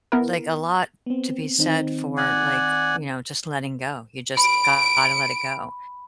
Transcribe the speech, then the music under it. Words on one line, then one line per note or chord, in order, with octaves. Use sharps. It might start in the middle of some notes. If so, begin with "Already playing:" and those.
like, a lot to be said for, like, you know, just letting go. You just gotta let it go.
B3 E4 A#4
B3 C4
D#3 C4 D#4
D5 F#5 G#5
B5 D7